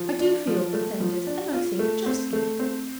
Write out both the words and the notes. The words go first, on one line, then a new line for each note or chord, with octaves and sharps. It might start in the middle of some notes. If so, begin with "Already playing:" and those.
'I do feel offended; and, I think, justly.
Already playing: F3
D4
F3
A3
F3
D4
F4
A3
C4
A3
C4